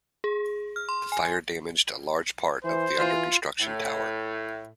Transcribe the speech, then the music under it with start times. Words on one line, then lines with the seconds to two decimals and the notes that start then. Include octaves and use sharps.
The fire damaged a large part of the under-construction tower.
0.24 G#4
0.76 F6
0.89 C6
1.12 G#5
2.64 E3 C5
2.97 E3 F4
3.60 A2